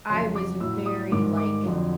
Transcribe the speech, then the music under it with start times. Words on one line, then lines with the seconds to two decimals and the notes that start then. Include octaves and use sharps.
I was very, like,
0.10 F2 C#3 F#3 C6
0.36 D6
0.60 A2 F#3 E6
0.86 D#6
1.11 G#2 D#3 G3 D6
1.37 D6
1.63 F2 D3 F#3